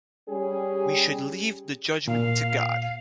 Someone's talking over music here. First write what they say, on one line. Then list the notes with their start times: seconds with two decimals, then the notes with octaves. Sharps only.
We should leave the judgment to God.
0.28 G3 C#4 G4 G#4
2.08 A#2 F5